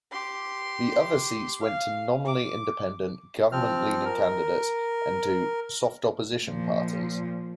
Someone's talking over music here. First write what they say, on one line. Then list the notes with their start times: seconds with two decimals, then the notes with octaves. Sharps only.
The other seats went to nominally independent, government-leaning candidates, and to "soft opposition" parties.
0.11 G4 C6
1.61 F5
2.25 D6
3.52 F3 C4 F6
4.05 A#4
6.46 A#2 F3